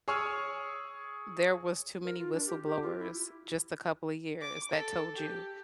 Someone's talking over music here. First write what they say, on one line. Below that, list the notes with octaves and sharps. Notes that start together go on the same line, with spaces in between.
there was too many whistleblowers just a couple of years that told you
G#4 C#5 G#5 C#6 E6 F6
A#4
F4
D4
G4
G4
F4
E4
D6
A4
G4